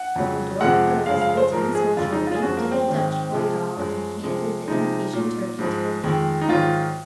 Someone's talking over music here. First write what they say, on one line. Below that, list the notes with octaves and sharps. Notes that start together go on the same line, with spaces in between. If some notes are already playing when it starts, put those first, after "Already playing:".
When the door closed, the tin soldier winked at the Dutch-boy doll and handed the imitation turkey to the penny dolls.
Already playing: F#5
F2 C#3 F#3
F2 C3 F3 G#3 F#5
F#2 C#3 F3 G#3 F5
F5
C5
G#2 F3 G#3 A#4
G#4
F2 C#3 G#3 F4
D#4
F4
G#4
F#2 F3 G#3 F#4
A#3
C4
G#2 D#3 F#3
C3 F3 G#3
F#2 F3 G#3
C3 F3 G#3
C3 F3 G#3 D#4
A#2 F#3
G#2 F3 G#3
F2 D#3 G#3
D#4
G#2 D#3 F#3 F4